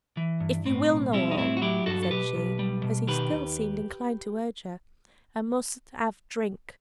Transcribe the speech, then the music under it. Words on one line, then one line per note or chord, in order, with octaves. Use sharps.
If you will know all," said she, as he still seemed inclined to urge her, "I must have drink.
E3
G2
A2 C4
B1
G3 C4 E4
D#4
A2 C4 E4
F#4
F#3 E4 G4
G2 F#4 A4
A4
B2 G4 B4
B1
G3
B2
D#3 G4 B4
D#2